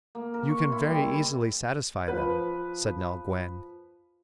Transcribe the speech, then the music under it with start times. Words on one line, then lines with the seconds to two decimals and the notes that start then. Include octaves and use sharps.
"You can very easily satisfy them," said Nell Gwyn.
0.15 A#3
0.34 A#4
0.49 C#6
0.60 C6
0.72 E4
0.85 G3
1.03 C6
2.08 F3 B4